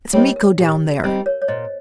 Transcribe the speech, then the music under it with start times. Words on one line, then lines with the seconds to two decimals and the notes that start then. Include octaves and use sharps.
It's Miko down there!
0.13 G3 C4 D#4 A#4 C#5
0.36 A#4
0.58 A#2 G4
1.04 G3 C4 D#4 A#4
1.26 A#4 C#5
1.42 C#5
1.48 A#2 C5 D#5